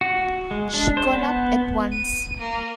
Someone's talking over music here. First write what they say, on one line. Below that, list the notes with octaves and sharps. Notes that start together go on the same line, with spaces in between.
She got up at once.
F#4
G#3
D4
C5
B3
D#7
A#3